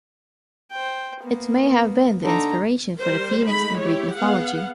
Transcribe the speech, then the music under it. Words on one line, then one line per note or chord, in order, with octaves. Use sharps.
It may have been the inspiration for the phoenix in Greek mythology.
C5 G5
A#3 B3
D3 D#4 A#5
G3 A#4 C5
G#3 A3 D#4 B5
E4 G4 C#5
B3 G#4 F5 F#5